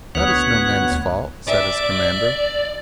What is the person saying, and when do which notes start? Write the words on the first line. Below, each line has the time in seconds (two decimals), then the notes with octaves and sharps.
"That is no man's fault," said his commander.
0.15 D2 B3 C#5 F#6
1.47 D5 E5